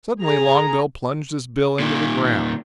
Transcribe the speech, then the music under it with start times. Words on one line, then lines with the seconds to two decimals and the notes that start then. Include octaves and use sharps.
Suddenly Longbill plunged his bill into the ground.
0.23 G#4 A#5
1.79 A#2 D#3